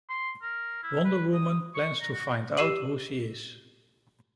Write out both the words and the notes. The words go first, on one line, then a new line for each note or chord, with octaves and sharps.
Wonder Woman plans to find out who she is.
C6
A#4
E4
B4
D#6
C#6
A#5
F#4
G4 E6 C7 D#7 F#7